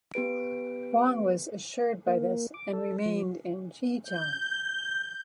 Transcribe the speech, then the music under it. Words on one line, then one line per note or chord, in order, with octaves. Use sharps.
Huang was assured by this and remained in Jicheng.
B3 G4 B4 D7
A#3
D6
A4
F3
G6